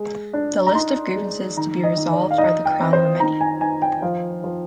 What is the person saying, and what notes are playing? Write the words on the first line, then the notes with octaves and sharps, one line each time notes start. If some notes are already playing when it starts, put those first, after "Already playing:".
The list of grievances to be resolved by the Crown were many.
Already playing: G#3
D4
A#5
D#4 C6
G#3
D#3 A#5
D#5
D#3
D5
F5
D#4 D#5
G5
C4
C5
D#3 A#5
G#5
D#3 G#5
G5
F3 F5
F3